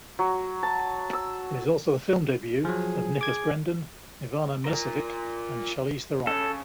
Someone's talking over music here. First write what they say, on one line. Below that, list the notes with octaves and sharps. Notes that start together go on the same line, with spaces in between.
It is also the film debut of Nicholas Brendon, Ivana Milicevic and Charlize Theron.
F#3
A5
E6
F3 F#3 G#4
D6 G#6
F4 A#4
C#3 A4